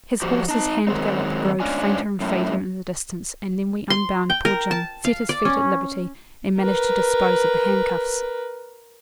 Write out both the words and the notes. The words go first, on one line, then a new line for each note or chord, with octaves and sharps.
His horse's hand-gallop growed fainter and fainter in the distance, and then we unbound poor Jim, set his feet at liberty, and managed to dispose of the handcuffs.
F3 F#4 G4
D#4 A5
D#3 F#3 G#3 C4 D#4
G#2 C#4 D4 F4 G#5
F#2 A2
C6
G5
A#4
A5
F5
D5
C#4
A#4 B4